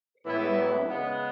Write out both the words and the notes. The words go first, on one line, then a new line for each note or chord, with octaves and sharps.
You know?
A2 E3 B3 E4
C#3 G#3 B3